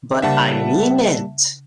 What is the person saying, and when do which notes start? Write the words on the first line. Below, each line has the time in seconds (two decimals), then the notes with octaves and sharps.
But I mean it.
0.22 C#3 G3 A#3 D4 E5 F#5 A5